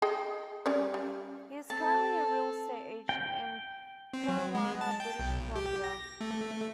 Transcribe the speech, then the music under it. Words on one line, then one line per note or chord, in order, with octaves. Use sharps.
He is currently a real estate agent in Kelowna, British Columbia.
G#4 D#5 G5
G3 C#4 D5
G3
C4 A4 A5
G5
C4
F#3
G#3
A5
G5
B1
G4
A#6
A3